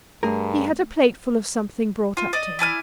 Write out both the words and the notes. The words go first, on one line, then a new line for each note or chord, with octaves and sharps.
He had a plateful of something brought up to him.
G2 A3 G#4 A#4
F4
D5 D#5
E4 D5 G#5 F6